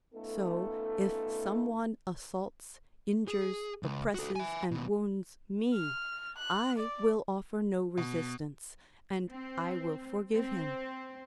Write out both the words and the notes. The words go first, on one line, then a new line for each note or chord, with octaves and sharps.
So if someone assaults, injures, oppresses and wounds me, I will offer no resistance, and I will forgive him.
A3 B3 C#4 D#4 F4 A4
G#4
C#2
F#4 A4
E5 G#5
D#2 B2
F6
F#6
D5
B2
C4
C4